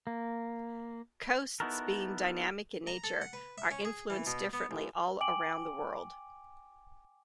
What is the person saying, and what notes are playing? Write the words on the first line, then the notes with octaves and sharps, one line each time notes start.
Coasts being dynamic in nature are influenced differently all around the world.
A#3
B3 D#4 E4 F#4 A4 A#4
A#5
A4
F#5
B4
E5
C#4
G#4
E3
B2
B3
A1
G5 G#5 D6 D7 F#7